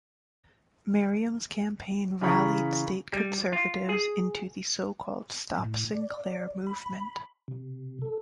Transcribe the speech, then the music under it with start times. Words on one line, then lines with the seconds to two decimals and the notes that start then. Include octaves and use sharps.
Merriam's campaign rallied state conservatives into the so-called "Stop Sinclair" movement.
2.21 C#3 E3 A#5 B5 C#6
3.13 G3
3.52 F4
3.89 G#4
5.59 A2
5.92 D5
6.67 B5
7.48 C3
8.02 A4